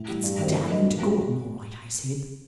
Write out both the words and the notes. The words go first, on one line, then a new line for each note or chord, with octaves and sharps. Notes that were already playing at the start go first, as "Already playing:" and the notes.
"It's damning to Gordon, all right," I said.
Already playing: A2
E3 G3
G2
D#3 F#3 A3 C4
A3
D4 F#4 B4 D#5
A#2
F3 A3 C#4 F#4